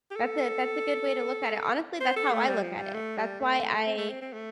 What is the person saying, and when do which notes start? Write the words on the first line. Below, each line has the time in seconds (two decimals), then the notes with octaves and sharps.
That's a that's a good way to look at it. Honestly, that's how I look at it. That's why I
0.11 G4
0.16 A4
2.01 C5
2.16 A4
2.32 A3
2.47 G3
2.62 F3
2.78 G3
2.94 A3
3.17 G3
3.40 A3
3.86 C4
3.98 A3
4.09 C4
4.21 C4
4.33 A3